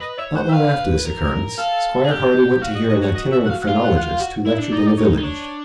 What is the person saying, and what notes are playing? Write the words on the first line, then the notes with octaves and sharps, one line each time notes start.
Not long after this occurrence, Squire Hardy went to hear an itinerant phrenologist who lectured in the village.
B4 D#5
C#5 E5
C5 F#5
E5
B4 F5
A#4
A4 F5
G#4
G4
F#4 F5
D#5
D#5
C#5
D#5
E5
F#5
F5
F#5
F4 F5
F#5
F#5
F5
F#4
E4
D4
D#4 D5
D#5
D5
C#5
D#4
D4 C#5